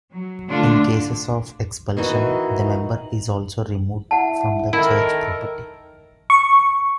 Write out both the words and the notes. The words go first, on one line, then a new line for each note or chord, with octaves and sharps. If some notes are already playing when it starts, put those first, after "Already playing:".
In cases of expulsion the member is also removed from the church property.
F#3
D3 A3 D4 F4
D#3 E3 D#4 F#4
E4 F#5 A5
D#3 E4 A4 A#4
C#6